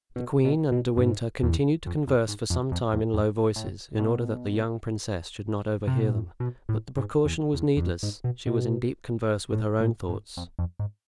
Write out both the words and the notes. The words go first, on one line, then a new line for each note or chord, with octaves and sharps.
The queen and De Winter continued to converse for some time in low voices, in order that the young princess should not overhear them; but the precaution was needless: she was in deep converse with her own thoughts.
B2
B2
B2
F2
G#2
E2
F2
F2
G#2
F2
F2
E2
F2
A2
B2
C3
B2
A2
B2
A2
G#2
E2
E2
E2
F2
G#2
B2
B2
A2
A2
G#2
F2
F2
G#2